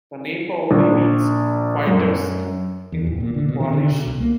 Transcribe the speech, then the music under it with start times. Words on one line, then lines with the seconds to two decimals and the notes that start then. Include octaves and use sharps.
The name probably means "fighters" in Gaulish.
0.71 A#1
1.87 F#2
2.92 E2
3.07 D1
3.20 A#2
3.34 D3
3.49 B2
3.60 D#3
3.73 D3
3.91 B2
4.06 C2
4.20 A#3